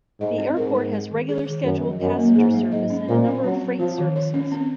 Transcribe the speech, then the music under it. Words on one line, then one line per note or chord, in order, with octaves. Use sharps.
The airport has regular scheduled passenger service and a number of freight services.
G#2 D#5
C4
G#2 A#4
G#3
G#4
D#3
G#4
D#3
F#2 G#4
F3
F#2 D#5
A#3
G#2 G#4
F#3
G#2 D#5
C#4
A#2 C5
C#4
F#3 C4
C4
F3 F4
D#3
C#5
C#4
C4